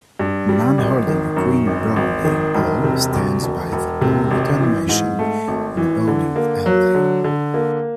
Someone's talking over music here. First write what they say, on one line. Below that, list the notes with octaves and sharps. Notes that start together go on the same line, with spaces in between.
A man holding a green bowling ball stands by the ball return machine in a bowling alley.
G2
G3
G#1
D#3
F#2
G#1
G#1
D#3
E1
C3
D2
E1
E1
C3
G#1
E3
G#2
A3
G#1
E3
D3
A#3
F#3
D3
D3
A#3